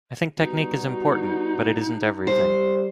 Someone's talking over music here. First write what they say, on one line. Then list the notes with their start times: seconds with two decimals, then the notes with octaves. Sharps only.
I think technique is important but it isn't everything.
0.38 G3 B3 D#4 F#4
2.27 G3 C5